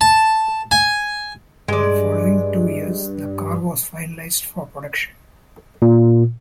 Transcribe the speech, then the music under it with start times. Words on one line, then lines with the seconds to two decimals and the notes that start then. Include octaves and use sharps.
In the following two years the car was finalised for production.
0.01 A5
0.71 G#5
1.68 G2 G#3 D5
5.82 A#2